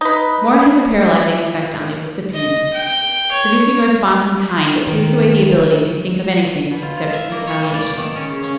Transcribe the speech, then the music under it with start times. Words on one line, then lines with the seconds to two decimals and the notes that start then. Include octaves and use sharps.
More has a paralyzing effect on the recipient, producing a response in kind that takes away the ability to think of anything except retaliation.
0.01 D#4 B4
2.32 D#5
2.73 G5
3.32 C#5
4.87 D#3
6.71 B2
6.83 F4
6.97 F4
7.15 E5
7.32 A#3
7.47 C#5
7.63 E3
7.74 D5
7.96 D#3
8.16 C#4
8.29 C#3
8.43 C#4